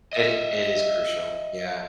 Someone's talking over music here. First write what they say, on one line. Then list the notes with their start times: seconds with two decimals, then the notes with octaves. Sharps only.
It i it is crucial. Yeah.
0.13 D#5 E5